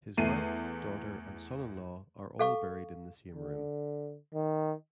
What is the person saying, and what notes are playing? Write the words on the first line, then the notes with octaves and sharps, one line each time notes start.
His wife, daughter, and son-in-law are all buried in the same room.
E2 A3 C7 D#7
A4 F5 C#6
D3
D#3